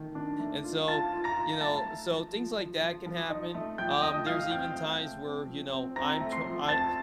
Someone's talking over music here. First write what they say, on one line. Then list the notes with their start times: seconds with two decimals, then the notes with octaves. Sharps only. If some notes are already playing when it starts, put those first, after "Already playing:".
And so, you know, so things like that can happen, um, there's even times where, you know, I'm tr I
Already playing: D#3 A3
0.15 D4
0.39 A3
0.64 F4
0.88 F4 A5 A6
1.12 F4
1.24 A#5 A#6
1.36 F4
1.60 A3 A5 A6
1.85 A3
2.10 F3
2.33 F3
2.57 F3
2.81 F3
3.06 F3
3.30 D#4
3.54 A3
3.78 F3 G5 G6
4.02 A3 D#5 D#6
4.26 F3 F5 F6
4.50 C4 G5 G6
4.75 A3
4.99 A3
5.23 C4
5.47 F3
5.72 C4
5.96 C4 A#5 A#6
6.20 A3
6.32 C6 C7
6.45 F3
6.68 C4 A5 A6